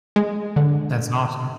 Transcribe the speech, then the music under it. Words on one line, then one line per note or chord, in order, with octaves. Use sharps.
That's awesome.
G#3
D3